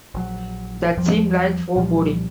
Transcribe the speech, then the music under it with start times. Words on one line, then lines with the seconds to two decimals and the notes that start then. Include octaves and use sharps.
That seemed like foreboding.
0.14 A#1 F#3
0.97 E2 F3 G3
1.76 C2 A#2 F3 G3